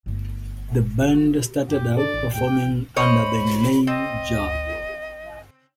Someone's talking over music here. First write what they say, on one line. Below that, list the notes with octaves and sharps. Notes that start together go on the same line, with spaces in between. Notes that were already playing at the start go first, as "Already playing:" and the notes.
The band started out performing under the name Jar.
G1 A3
F#2 G4
D4 A4 D5
A1 E3
D#2 A2 G#4 G5
D6
A1
C5 C#5 D#5 B5
C4 D#5